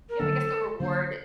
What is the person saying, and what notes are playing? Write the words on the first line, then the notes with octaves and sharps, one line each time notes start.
Yeah, I guess the reward
A#4
D3 F#3 A#3 D4 A4
D3 F#3 A#3 D4 C5